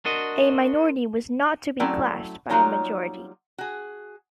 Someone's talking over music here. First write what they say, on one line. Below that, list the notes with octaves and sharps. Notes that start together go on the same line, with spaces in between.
A minority was not to be clashed by a majority.
D4 F#4 A#4 D#5 C6
F#3 A3 C4 C#4 E4 D5
F#3 G3 A#3 D#4 F4 C#5
F#4 G#4